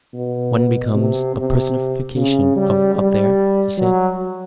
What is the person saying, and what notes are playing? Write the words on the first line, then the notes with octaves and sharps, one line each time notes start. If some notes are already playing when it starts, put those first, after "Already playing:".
"One becomes a personification up there," he said.
B2
C3
C3
C#3
G3
G3
F#3